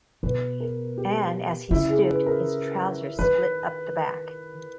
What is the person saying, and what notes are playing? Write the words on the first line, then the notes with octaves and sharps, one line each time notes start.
And, as he stooped, his trousers split up the back.
B2 B4
A#4
G4
C#3 E4
G#4
B4
A#4
D#3 B4